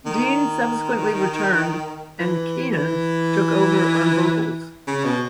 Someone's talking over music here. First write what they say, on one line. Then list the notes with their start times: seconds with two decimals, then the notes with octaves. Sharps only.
Dean subsequently returned and Keenan took over on vocals.
0.06 D#3
2.19 E3
2.73 E3
4.87 C#3
5.04 B2